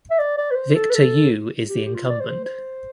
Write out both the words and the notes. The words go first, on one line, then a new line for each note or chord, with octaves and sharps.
Victor Yu is the incumbent.
E5
D5
D5
B4
C5
A4
B4
A4
G4
G4
F4
D5
C5
C5